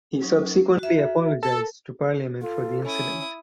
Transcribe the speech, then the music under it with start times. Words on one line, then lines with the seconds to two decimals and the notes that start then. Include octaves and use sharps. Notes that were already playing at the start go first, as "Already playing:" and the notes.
He subsequently apologised to Parliament for the incident.
0.22 F#3 C#4 D#4
0.79 F#4 E5
1.43 A4 A#4
2.42 F4 A4
2.84 C#4 E4 D#6